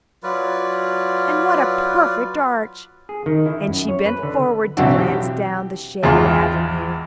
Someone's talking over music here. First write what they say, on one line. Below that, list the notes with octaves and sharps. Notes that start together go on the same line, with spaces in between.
"And what a perfect arch!" And she bent forward to glance down the shaded avenue.
F#3 F4 B4 D5
G#4
D#3
E4
F#2
C#5
B4
D3
B1 E3 C4 D4 F#4
G4
G#1 E2 F4 G#4 C6 F6